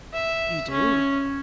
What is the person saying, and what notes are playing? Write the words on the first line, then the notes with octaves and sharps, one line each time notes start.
You do.
E5
C#4